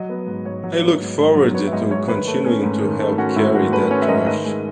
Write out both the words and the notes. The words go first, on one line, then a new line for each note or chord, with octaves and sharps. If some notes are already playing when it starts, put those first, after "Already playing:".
I look forward to continuing to help carry that torch.
Already playing: F#3 D#5
B3
G#2
G#2 C#5
F#3
B3
G#2
G#2
F#3
B3 C#5
E5
G#2 D#5
G#2 C#5
D#3 B4
A3
C#4
G#2
D#3
A3
C#4 F#4
G#2 E4
D#3 F#4
A3 B4
C#4 C#5
E5
G#2 D#5
D#3 D#5
G#3